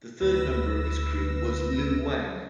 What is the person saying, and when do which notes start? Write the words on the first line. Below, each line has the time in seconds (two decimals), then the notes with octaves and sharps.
The third member of his crew was Liu Wang.
0.19 D2 B4 E6 A#6